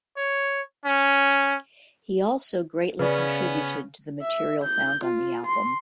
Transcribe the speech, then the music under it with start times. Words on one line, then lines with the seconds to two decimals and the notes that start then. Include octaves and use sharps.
He also greatly contributed to the material found on the album.
0.17 C#5
0.86 C#4
2.99 C#3 B3 C#4 B4 D5
4.22 E5
4.64 G6
5.04 F4
5.46 C6